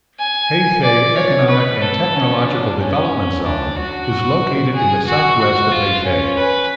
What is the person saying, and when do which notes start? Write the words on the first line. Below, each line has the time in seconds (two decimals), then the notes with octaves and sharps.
Hefei Economic and Technological Development Zone is located in the southwest of Hefei.
0.19 G#5
0.83 D5
1.16 C#5
1.49 B4
1.82 A4
2.14 C#4
2.46 D4
2.79 C#4
3.44 D4
3.76 F#4
4.74 G#4
5.07 F#4
5.39 F#4
5.72 F4
6.04 C#4
6.37 B4